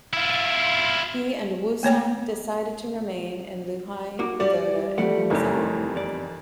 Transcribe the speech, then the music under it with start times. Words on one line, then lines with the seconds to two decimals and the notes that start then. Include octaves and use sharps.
He and Wu Song decide to remain in Liuhe Pagoda in Hangzhou.
0.13 E4 F4
1.83 A3 A#3 C#5 G5
4.19 A#3 D#4 F#4 D6
4.40 G3 F#4 D5
4.98 E3 G3 A3 D5 F#5
5.30 F#1 F2 A2 D#4 G4
5.95 E2 D5